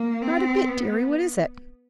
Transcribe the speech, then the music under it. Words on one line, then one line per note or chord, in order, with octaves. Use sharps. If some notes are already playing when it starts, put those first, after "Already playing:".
"Not a bit, deary; what is it?"
Already playing: A#3
C4
B3